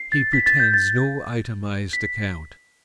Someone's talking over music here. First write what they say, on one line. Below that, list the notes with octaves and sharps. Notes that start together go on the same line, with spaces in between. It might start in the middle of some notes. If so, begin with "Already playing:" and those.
He pretends no itemised account.
Already playing: C7
A6
B6
A6
G6
A6
B6